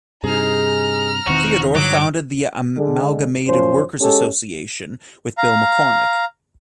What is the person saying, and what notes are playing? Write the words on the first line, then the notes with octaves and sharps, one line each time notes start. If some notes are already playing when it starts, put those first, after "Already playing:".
Theodore founded the Amalgamated Workers' Association with Bill McCormack.
G2 C3 D#4 G#4 A#5 F6
E1 D#3 E3 C4 D#4 F#4
G2 D3 F#3 D6
D3 G#3
F#2 F3 C#4 C5
G#3 C#4 G4 A4
F5 A#5